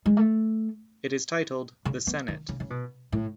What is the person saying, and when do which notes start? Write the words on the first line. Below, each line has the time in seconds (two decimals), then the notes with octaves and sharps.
It is titled, The Senate.
0.06 G#3
0.17 A3
1.85 C#3
2.07 B3
2.28 D#3
2.49 C#3
2.60 C#3
2.70 B2
3.12 A2